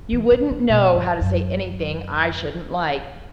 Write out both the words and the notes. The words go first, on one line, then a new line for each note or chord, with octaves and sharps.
"You wouldn't know how to say anything I shouldn't like."
E3
D3
C#3
B2
G2
F#2